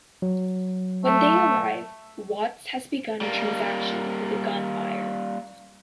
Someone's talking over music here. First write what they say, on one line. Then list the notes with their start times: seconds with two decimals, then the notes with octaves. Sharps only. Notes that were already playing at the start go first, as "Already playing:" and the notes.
When they arrive, Watts has begun a transaction with a gun buyer.
0.22 F#3
1.05 A3
3.21 G3 A#3